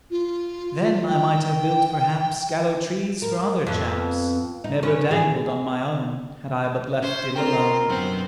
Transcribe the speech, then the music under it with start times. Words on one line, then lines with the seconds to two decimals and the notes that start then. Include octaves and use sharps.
"Then I might have built perhaps Gallows-trees for other chaps, Never dangled on my own, Had I but left ill alone."
0.11 F4
1.08 G5
3.22 A#4
3.67 F2 B3
4.64 D#4
4.83 C#4 B4
5.11 G#4
7.02 C#4 C5
7.36 C4 F4 A#4 G5
7.90 F#2 B2 D3 B3 C4